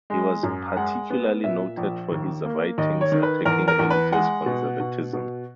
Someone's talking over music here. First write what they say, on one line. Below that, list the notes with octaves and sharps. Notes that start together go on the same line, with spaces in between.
He was particularly noted for his writings attacking religious conservatism.
G#3
F#2
G#3 F#5
B3
A#2 E5
A#1
D#2
A#3
D#2 D#5
C#5
D#3
B4
E2 A#4
A#4
E2
B4
G#3 F#5
B2
B2
B2